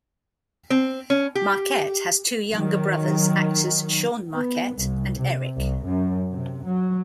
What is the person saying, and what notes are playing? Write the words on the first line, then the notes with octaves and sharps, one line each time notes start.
Marquette has two younger brothers, actors Sean Marquette and Eric.
C4
C#4
G4
D#3 F#3
B3
C2
C3
C2
F#2
C3
F#3